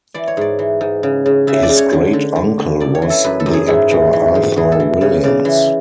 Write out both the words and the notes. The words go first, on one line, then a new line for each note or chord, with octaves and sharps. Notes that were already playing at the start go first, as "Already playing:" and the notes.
His great-uncle was the actor Arthur Williams.
E3 D5
C#5
G#2 D5
E3
G#2
C#3
C#3
C#3 E5
D5
C#3
C#5
D3
D3
D3
D3
F#2 D5
C#5
E3
A4
F#2 B4
A4
F#2
G#4
G#2 E4
E3
E3
G#2
E3 G#4
A4
E3
C#3 C#5
C#3 D5
E3